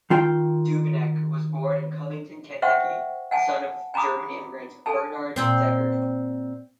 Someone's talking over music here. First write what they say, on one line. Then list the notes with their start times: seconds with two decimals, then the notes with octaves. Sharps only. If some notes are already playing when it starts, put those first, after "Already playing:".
Duveneck was born in Covington, Kentucky, the son of German immigrant Bernhard Decker.
0.10 D#3 F4 G5
2.62 C5 E5 F#5 G5 C#6
3.31 F#5 G#5 A5
3.94 G#5 A#5 B5 D6 D#6
4.86 A4 G#5 A5
5.36 A#2 C4 C5